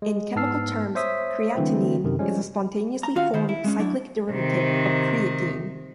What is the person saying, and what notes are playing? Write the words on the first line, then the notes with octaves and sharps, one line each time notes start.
In chemical terms, creatinine is a spontaneously formed cyclic derivative of creatine.
G#3
G#2 B3 A5 E6 F6 C7
C5 C#5 E5 D#6 B6
D3 E3 F#3 A3 C4
F#2 C3 D#3
F3 G3 G#3 C#4
A#5
D#2 C#4 F4 F#4 F5
D#3 C5 B5
E4
G#3 A#3 C#4
F#3 D4 E4
C3 D#3